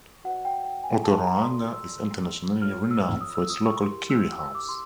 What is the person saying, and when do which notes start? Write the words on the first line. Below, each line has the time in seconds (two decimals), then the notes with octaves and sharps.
Otorohanga is internationally renowned for its local Kiwi House.
0.24 F#4 B4 D5 F#5
0.45 G5
0.64 G5
0.84 G#5
1.04 A5
1.24 A#5
1.43 F#4 A4 D5 C6
1.73 E6
2.62 F4 A4 C#5 F6
2.91 E6
3.21 D#6
3.35 E6
3.50 D#6
3.65 C#6
3.80 E4 G4 A#4 C6
4.10 E6
4.40 E6
4.55 D6
4.69 C6